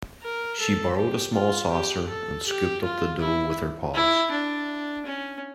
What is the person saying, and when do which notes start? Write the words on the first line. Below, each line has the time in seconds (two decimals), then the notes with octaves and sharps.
She borrowed a small saucer, and scooped up the dough with her paws.
0.22 A#4
0.60 A4
0.97 G4
1.34 F4
1.71 G4
2.09 A4
2.46 G4
2.83 F4
3.20 E4
3.94 E4
4.31 D4
5.05 C#4